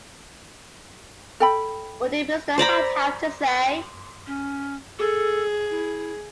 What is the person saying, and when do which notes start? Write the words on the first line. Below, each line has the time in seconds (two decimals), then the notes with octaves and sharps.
What did Mr. Haight have to say?
1.40 A4 G5 B5
2.58 C5 D5 A#5 B5
4.27 C#4
4.99 G#4 A4
5.70 E4